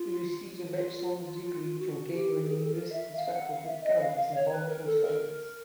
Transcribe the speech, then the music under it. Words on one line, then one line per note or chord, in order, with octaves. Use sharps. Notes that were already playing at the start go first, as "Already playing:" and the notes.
He received a bachelor's degree from Cairo University's Faculty of Economics and Political Science.
Already playing: F4
F4
F#4
G4
A4
G#4
A4
A#4
E5
F5
F#5
F5
E5
D#5
F5
F5
C#5
B4
A#4
A4
A#4